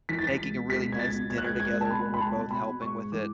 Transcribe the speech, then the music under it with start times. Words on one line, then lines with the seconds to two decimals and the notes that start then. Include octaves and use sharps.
making a really nice dinner together, where we're both helping with it.
0.09 E3 B6
0.19 A6
0.23 E3 B6
0.39 C#2
0.54 B2
0.69 C#2 B6
0.85 B2
0.92 G#6
0.99 C#2 A6
1.14 B2
1.29 B2 G#6
1.38 F#6
1.45 C#2 G#6
1.60 C#2 G#6
1.75 C#2
1.81 A5
1.90 B2 B5
2.05 C#2
2.14 B5
2.20 C#2 A5
2.35 B2
2.51 B2 B5
2.66 B2
2.81 G#2 C#6
2.96 G#2
3.12 E3 D6